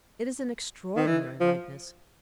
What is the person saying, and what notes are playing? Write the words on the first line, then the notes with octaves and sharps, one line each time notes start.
It is an extraordinary likeness.
D#3
E3
F3